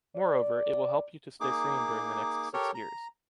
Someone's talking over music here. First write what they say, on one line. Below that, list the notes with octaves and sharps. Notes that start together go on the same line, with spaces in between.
Moreover, it will help you to stay sane during the next six years.
D5
A#3 D#4 G#4 D6
G4 A4 A#4 C#5
A#5